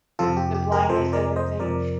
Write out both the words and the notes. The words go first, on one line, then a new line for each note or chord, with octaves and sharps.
The blindness, everything.
F2 C3 F3 F4 A4
G4
G4
G4 A#4
F2 C3 F3 A4 C5
A#4 D5
C5 D#5
F2 C3 F3 A#4 D5